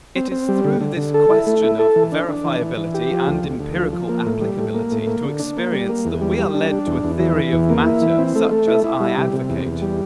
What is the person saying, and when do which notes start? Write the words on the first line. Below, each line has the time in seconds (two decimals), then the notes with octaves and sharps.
It is through this question of verifiability and empirical applicability to experience that we are led to a theory of matter such as I advocate.
0.16 C4
0.32 C4
0.49 G3
0.65 D3
0.81 D3
0.97 D3
1.14 A4
1.30 E4
1.47 A3
1.63 E4
1.79 A4
1.96 E3
2.12 D4
2.29 D4
2.45 E3
2.61 E3
2.77 E3
2.94 G4
3.11 F3
3.27 D2
3.44 D2
3.59 D2
3.76 F3
3.92 F3
4.09 A#3
4.26 A2
4.42 G3
4.58 A2
4.74 A#3
4.91 A2
5.07 A#3
5.23 D3
5.40 D4
5.57 A#3
5.72 G3
5.89 A#3
6.05 E2
6.21 G3
6.38 G3
6.54 D4
6.71 D4
6.87 E2
7.04 E2
7.20 E3
7.37 E3
7.53 E2
7.69 A#3
7.86 E4
8.02 E3
8.18 C4
8.35 A3
8.51 A3
8.68 E4
8.84 E4
9.00 G3
9.17 C3
9.33 C3
9.50 E2
9.66 E2
9.82 G3